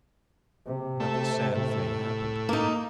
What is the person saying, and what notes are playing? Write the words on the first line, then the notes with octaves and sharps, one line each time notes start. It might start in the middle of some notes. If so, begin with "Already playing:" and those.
But this sad thing happened.
C3
A3
A2
A#3 D#4